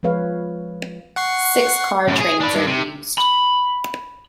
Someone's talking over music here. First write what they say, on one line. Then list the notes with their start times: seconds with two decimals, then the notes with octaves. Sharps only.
Six-car trains are used.
0.03 F3 G#3 G#4 B4 C#5 F5
1.16 F#5 C#6 C7
2.08 F#2 A2
2.20 G#4
2.40 D4 B4
2.53 G2
2.67 C3
3.18 B5